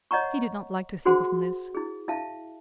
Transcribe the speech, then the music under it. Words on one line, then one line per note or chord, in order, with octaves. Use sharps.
He did not like to think of Mliss.
C#5 D#5 F#5 A#5 C#6
F#4 G#4 C5 F#5 C6
E4 G#4
E4 E5 F5 A5